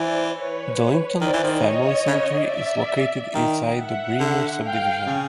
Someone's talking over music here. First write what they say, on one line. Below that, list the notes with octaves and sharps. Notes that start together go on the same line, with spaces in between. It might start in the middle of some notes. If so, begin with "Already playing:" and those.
The Linton family cemetery is located inside the Braemar subdivision.
Already playing: E3 C5 D5
B4 C#5
D#3 C5 D5
E3
D#3
C#5 D#5
C#3
D5 E5
D#3
E5 F#5
D3
F5 G5
C#3